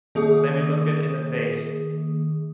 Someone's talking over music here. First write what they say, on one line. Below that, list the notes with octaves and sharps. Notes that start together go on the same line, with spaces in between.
Let me look it in the face!
D#3 A#3 G#4 D#6